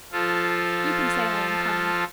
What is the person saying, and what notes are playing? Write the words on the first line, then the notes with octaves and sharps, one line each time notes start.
You can say I am coming.'
F3 F4 A4